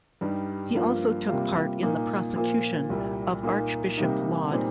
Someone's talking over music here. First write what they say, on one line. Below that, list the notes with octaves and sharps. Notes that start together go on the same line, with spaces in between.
He also took part in the prosecution of Archbishop Laud.
G2 G3 D#4
G2 F3 A#3 F4
C3 G3 A#3 F4
A#2 A#3 D#4
A#2 F3 A#3
C2 A#2 G3
A#2 A#3 D#4
C3 G3 A#3 D#4
A#2 G3 C4 D#4